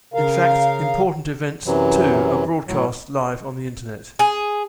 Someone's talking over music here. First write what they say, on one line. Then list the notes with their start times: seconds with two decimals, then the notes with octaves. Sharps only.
In fact, important events too are broadcast live on the internet.
0.14 C#3 A#4 F5
1.66 F#2 C3 E3 F#3
2.67 A2 F#3
4.19 G#4